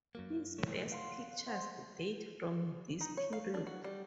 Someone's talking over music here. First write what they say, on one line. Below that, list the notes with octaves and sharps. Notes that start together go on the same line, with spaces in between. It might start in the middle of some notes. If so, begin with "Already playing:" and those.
His best pictures date from this period.
F#2 F#3 A#3
E3 F3 A3 C#5
F5 F#5 C6
C5 E5 F#5
D#4
C#5
F5
D4
F#4
G3